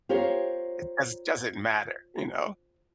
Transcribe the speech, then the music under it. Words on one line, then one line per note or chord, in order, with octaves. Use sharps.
It does doesn't matter, you know?
F4 G4 A#4 C5 C#5